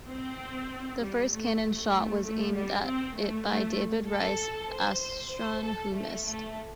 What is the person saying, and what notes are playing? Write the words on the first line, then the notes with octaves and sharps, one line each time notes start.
The first cannon shot was aimed at it by David Rice Atchison, who missed.
C4
G3
A3
A3
A3
G3
C4
A3
A3
A4
C5
C5
C5
A4
A3
A3